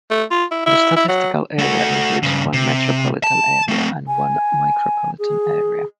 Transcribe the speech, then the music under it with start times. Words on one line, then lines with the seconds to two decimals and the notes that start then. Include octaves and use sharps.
The statistical area includes one metropolitan area and one micropolitan area.
0.10 A3
0.31 F4
0.51 E4
0.66 E4
0.96 E4
1.08 F#3
1.59 A3 F#4
2.23 G2 C#3
2.54 C3
3.24 A5
3.68 A3 C4
4.07 G#5
5.19 G#4